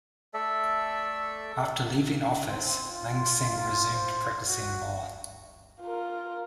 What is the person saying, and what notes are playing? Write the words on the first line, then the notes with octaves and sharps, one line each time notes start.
After leaving office Lansing resumed practicing law.
A3 A4 D5 E5
C4
F4
F4
C5
F#4
F4 A#4